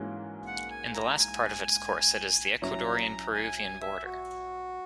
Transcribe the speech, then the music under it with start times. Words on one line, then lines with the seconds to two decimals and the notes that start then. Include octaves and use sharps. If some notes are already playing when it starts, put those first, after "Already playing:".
In the last part of its course it is the Ecuadorian-Peruvian border.
Already playing: G#2 E3 A#3 C#4 F#4
0.47 F#5
0.71 G#5
0.95 A#5
1.19 G#5
2.62 F#3 C#4 E4 A#5
3.34 G#5
3.58 G#5
3.81 E5
4.05 F#4